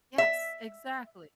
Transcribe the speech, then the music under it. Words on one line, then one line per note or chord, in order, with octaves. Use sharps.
Yes, exactly.
E5